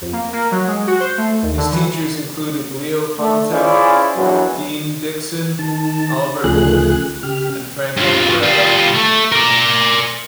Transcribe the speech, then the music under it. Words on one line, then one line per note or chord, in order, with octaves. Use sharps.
His teachers included Leo Funtek, Dean Dixon, Albert Wolff and Franco Ferrara.
F2
A#3
A#3
F#3
G#3
F#4
C5
A3
D#2
D3
E3
A3
C#4 E4 F4 G#4 C5 D5
A#1 E2 F#3
D#3 A5
D2 C#3 F3 A3 G#4 F#6
C#3 G4 F6
G2 F3
G3 F4
A3
A#4 D5